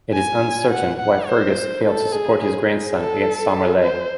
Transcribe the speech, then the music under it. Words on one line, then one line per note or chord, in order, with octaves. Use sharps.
It is uncertain why Fergus failed to support his grandson against Somairle.
G#5
F#5
F#5
C5
A4
G#4
G#4
G#4
A4
C5